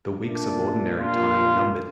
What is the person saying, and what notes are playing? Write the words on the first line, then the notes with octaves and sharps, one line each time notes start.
The weeks of Ordinary Time are numbered.
A#2 A3 A#3 D4
A#2 G3 A#3 D4 F4